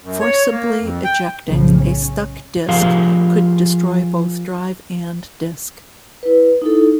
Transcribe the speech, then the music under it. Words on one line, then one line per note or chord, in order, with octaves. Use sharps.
Forcibly ejecting a stuck disk could destroy both drive and disk.
F#2
C#5
A#3
F2
G5
B1 A2 C#3 F3
C#4
F3 F4 G4 G#4 A#4 F5
E4 B4
D#4 E4 A4